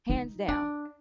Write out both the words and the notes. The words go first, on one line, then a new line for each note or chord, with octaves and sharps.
hands down,
D#4
D4